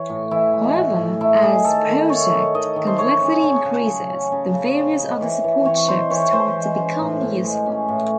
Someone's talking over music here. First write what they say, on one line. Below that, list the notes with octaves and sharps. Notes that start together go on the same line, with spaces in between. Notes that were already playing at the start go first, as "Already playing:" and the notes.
However, as project complexity increases, the various other support chips start to become useful.
Already playing: E3 C#5
A2
E3 E4
G#3
A2
A2
A3 E4
D#4 G#4
D#3 A4
D#3
A3 C#5
D#4
D#3 D#5
D#3
C5
F#3 C#5
C#4
C#3 C#5
C#3
F#3
C#4
C#3
C#3
C4
D#4
E3
E3
C4 C#5
D#4 C5
E3 C#5
E3 C5
G#3
C#4
A2
A2
G#3
C#4
A2